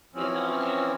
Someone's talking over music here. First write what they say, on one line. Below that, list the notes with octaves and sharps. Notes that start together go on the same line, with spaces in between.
You know, as
E3 F3 C4 C#4